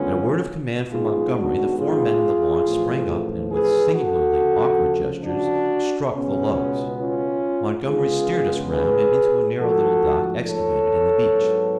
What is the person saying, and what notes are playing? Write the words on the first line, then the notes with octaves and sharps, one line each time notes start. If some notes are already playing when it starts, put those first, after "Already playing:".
At a word of command from Montgomery, the four men in the launch sprang up, and with singularly awkward gestures struck the lugs. Montgomery steered us round and into a narrow little dock excavated in the beach.
Already playing: F#2 D3 G#3 B3 C#4 F4
G#1 G#2 F#3 B3 F4 G#4
D4 F#4
F4 G#4
A1 A2 F3
G#4 B4
F#4 A4
D2 C#3 F3
D4 F#4
C#2 B2 G#3 B3 C#4
C#4 F4
C#2 C#3 G#3 B3 F4 G#4
G#4 B4
G#2 F3 A3 F#4 A4
A4 C#5
G#2 F#3 B3